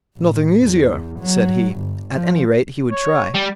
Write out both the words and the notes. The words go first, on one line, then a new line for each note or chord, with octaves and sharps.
'Nothing easier', said he; at any rate he would try.
A1
E2
F#3
G1
F3
C#5
G3